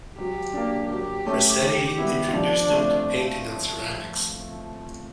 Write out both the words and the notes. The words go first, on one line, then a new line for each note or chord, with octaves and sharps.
Rasetti introduced them to painting on ceramics.
F#3 G4
A#3 D4
F#3 G4
A3 C#4
D#3
G3 B3 E4
F3 D4
A3 C4